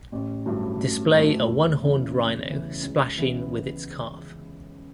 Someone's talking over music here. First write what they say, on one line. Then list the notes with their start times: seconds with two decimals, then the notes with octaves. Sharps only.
Display a one-horned rhino splashing with its calf.
0.12 A1
0.45 G2 F#3 A3 E4
0.80 A1
1.13 G2 F#3 A3 E4
1.48 E2
1.82 C#3 E3
2.15 E2
2.49 C#3 E3
2.83 C#2
3.17 C#3 E3 B3 E4